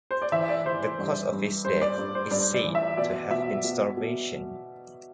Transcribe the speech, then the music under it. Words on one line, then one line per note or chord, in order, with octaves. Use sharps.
The cause of his death is said to have been starvation.
C5
D5
E3 E5
D5
E3 C5
C5
G2
G2
G2 C5
D5
G2
C5
G2 D5
D5
E3
E5
B2 D5
B2 E5
B2
B2